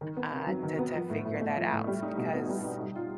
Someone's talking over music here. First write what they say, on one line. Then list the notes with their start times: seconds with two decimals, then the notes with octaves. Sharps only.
uh, to to figure that out because
0.01 D#3
0.17 B3
0.32 C3
0.47 F#3
0.63 D#3
0.79 B3
0.94 F3
1.10 A2
1.25 A2
1.41 A3
1.57 F3
1.72 A2
1.87 G3
2.03 D#4
2.17 B2
2.34 B3
2.49 G3
2.65 D#4
2.81 G3
2.96 F4